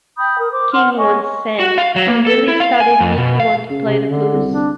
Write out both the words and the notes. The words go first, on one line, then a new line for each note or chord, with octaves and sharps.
King once said, who really started me to want to play the blues.
G5 B5 D#6 G6
A#4 D#6
C5 D6
F#5 C6 F6
C#5 D#5 G#5 C#6
F#4
F5
F#3
A#3
A4
E4
F5
G#5
F2
B2
F5
C#3
C3
D3
C2
D4